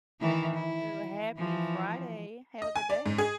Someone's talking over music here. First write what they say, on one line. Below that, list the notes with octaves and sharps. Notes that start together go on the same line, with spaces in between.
Happy Friday. Have a good day.
D#3 E3 E4
E4
E3 F3
D#5
G#5
D5
G#2
G#4